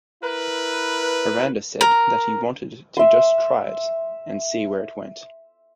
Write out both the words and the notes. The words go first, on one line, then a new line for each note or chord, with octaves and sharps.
Aranda said that he wanted to just try it and see where it went.
E4 A#4 B4
A#4
E5 C6